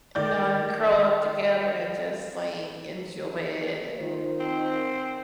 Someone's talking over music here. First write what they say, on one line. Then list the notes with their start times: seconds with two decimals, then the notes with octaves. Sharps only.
you know, and curl up together and just, like, enjoy it and
0.15 D#3 D5 G6
3.98 D#3 F4 C5
4.40 C4